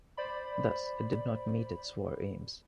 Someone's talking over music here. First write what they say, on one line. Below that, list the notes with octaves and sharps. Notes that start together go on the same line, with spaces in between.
Thus, it did not meet its war aims.
C5 D5 B5